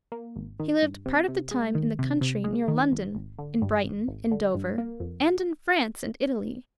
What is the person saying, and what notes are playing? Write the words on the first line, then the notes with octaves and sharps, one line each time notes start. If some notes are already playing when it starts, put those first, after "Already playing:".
He lived part of the time in the country near London, in Brighton, in Dover, and in France and Italy.
A#3
G#1
D#3
G2
C3
C3
G#3
D#3
C3
C3
G#3
D#3
G#1
G#1
D3
G2
G#1
G#1
D3
G2
A#3
F2